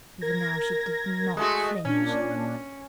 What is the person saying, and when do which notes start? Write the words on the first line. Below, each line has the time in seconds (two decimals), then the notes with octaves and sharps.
Even now she did not flinch.
0.21 A#4 G#6 A#6
1.37 G#3 A3 F#4
1.62 D#5
1.85 A#2 C#4 D4